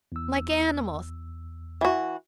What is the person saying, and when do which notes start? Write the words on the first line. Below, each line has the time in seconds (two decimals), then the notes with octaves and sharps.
Like animals!
0.12 E2 E6
1.81 E3 F#4